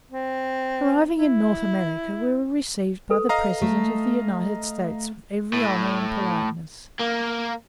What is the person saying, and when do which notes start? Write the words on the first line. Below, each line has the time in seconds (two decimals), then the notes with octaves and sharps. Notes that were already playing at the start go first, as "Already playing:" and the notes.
Arriving in North America, we were received by the President of the United States with every honour and politeness.
0.11 C4
1.18 E4
3.10 A4 B4
3.29 D#5 F5 A#5
3.62 A3
5.53 A2
7.00 A#3